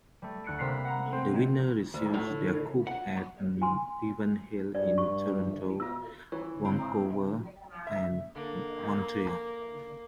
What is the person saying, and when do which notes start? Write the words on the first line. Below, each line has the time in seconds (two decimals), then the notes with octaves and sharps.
The winners received their Cubes at events held in Toronto, Vancouver, and Montreal.
0.22 G3 A3
0.44 D2 F#6 C#7 D7
0.59 C3 A#3 A#5 B5 B6 C7
0.85 F#5 A#5
1.13 C4
1.94 D2
2.14 A2
2.87 F#5
3.62 G#5 C6
4.75 G2 D5
4.98 G2 C#6
5.80 B2 F4 E6
6.32 E3 C#5
6.64 G#2 C4
7.87 E5
8.36 D3 A#3